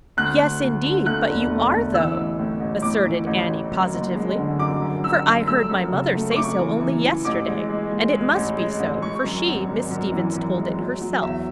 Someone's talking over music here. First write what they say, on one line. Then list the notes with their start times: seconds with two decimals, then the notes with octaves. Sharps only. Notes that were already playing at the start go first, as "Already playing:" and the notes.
"Yes, indeed, but you are though," asserted Annie positively; "for I heard my mother say so only yesterday; and it must be so, for she Miss Stevens told it herself."
0.17 D2 F#6
0.40 D2
0.62 D2
0.84 D3
1.06 A3 F#6
1.28 E1
1.50 A3
1.73 A3
1.94 E3 E6
2.17 A1
2.39 A2
2.60 A1
2.82 A2 D6
3.05 E3
3.27 A1
3.48 A1
3.71 F#2
3.94 F#1
4.16 G#3
4.38 D3
4.59 F#2 D6
4.82 F#2
5.04 F#2 E6
5.26 F#2
5.47 A3 E6
5.70 F#2
5.92 C#3
6.15 A3
6.31 C#6
6.36 A3 D6
6.58 E3
6.81 E3
7.03 E3
7.25 A1 D6
7.48 G#3
7.69 G#3
7.92 G#3
8.13 G#3
8.36 A1
8.57 G#3
8.79 A1
9.02 G#3 C#6
9.24 F#2
9.46 G#1
9.69 G#1
9.90 F#2
10.12 E3
10.34 F#2
10.57 G#3
10.79 F#3
11.01 F#3
11.22 E2 E5